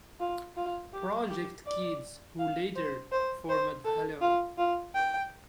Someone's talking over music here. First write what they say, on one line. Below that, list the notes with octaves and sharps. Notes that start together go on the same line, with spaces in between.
Project Kids, who later formed Hello!
F4
F4
G4
G4
D5
F5
C5
C5
C5
A4
F4
F4
G5